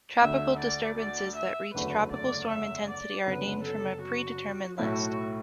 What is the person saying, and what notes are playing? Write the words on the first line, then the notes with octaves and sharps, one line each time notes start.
Tropical disturbances that reach tropical storm intensity are named from a pre-determined list.
D2 D3 A3 E5
D5
D5
E5
F#1 E2 D3 A3 F#4 B4
D5
E5
D5
F#1 F#2 D3 B3 B4
A4
F#4
B1 A2 A3 E4 F#4